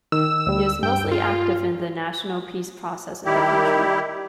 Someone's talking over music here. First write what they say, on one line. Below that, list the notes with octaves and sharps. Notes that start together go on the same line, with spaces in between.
He is mostly active in the National Peace Process in the country.
D#3 E6
D2 G3
G2 G5
F4
D#3 G3 E4 G4